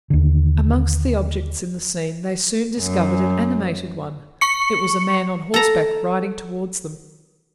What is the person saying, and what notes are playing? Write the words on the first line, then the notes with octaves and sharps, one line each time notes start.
Amongst the objects in the scene, they soon discovered an animated one; it was a man on horseback riding towards them.
D#2 D3
F#2
C#6 C#7
A4 A#5